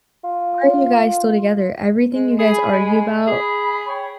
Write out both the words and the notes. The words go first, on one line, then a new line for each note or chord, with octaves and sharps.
Why are you guys still together? Everything you guys argue about
F4
G#3
G#4 G#5 B5
G#3
G#4 B5
C#5 G5